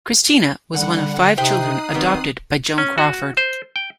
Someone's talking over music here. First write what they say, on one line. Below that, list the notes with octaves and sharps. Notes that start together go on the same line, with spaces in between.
Christina was one of five children adopted by Joan Crawford.
D3 G3 F#5
C3 D#4 C5 E5 G5 D#6 F#6 C7
D#3 G3 B3 C4
C#4
F#4
C5
G5